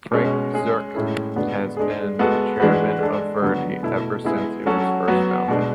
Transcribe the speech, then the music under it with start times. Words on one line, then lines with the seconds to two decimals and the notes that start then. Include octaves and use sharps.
Frank Bsirske has been the Chairman of Verdi ever since it was first founded.
0.12 B2 G#3 C#4
0.54 G#3 C#4 G#4
0.94 A2 G#3 C#4 E4 A4
1.36 D3 G#3 B3 D4 F#4
1.77 G#3 D4 G#4
2.19 G#3 B3 F#4 A4
2.60 E3 G#3 D4 F#4 B4
3.00 G#3 D4 A4
3.42 D3 F#3 B3
3.83 B2 A3 E4
4.24 G#3 B3 E4 G#4
4.66 F#3 C#4 F#4 A4
5.08 F#3 B3 F#4
5.48 B2 G#3 D4